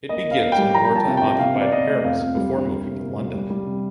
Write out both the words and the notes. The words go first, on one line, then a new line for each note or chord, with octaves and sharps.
It begins in wartime occupied Paris before moving to London.
A#3 D#5
A#3
F5
A#3
G5
G3
F3 A#5
G5
A#3
A5
C3
G5
C3
C3 F5
C3
D5
C3 D#5
A3
F2 F5
F2
G3
D3
A#3
C3
A#3
G3
G3
G3
C3